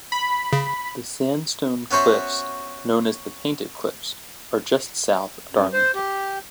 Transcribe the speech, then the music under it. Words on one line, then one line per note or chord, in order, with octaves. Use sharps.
The sandstone cliffs known as the Painted Cliffs are just south of Darlington.
B5
C#3
B3 C#4 F#4 C5 E5
F#2
C5
G4